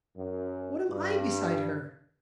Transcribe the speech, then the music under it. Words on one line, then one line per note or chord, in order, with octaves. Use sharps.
What am I beside her?
F#2
G2